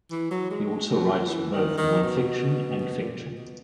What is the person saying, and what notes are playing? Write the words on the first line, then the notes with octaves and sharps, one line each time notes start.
He also writes both non fiction and fiction.
E3
F#3
G#3
F#3
E3
D#3
D#3
B2
B2
A#2
A#2
B2